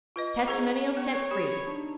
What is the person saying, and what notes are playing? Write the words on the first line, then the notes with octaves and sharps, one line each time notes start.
Testimonials SENT FREE.
F4 B4 D#5
G#4 C5 A#5 C#6 G#6
B3 C#5
G4 B5
D4 D#4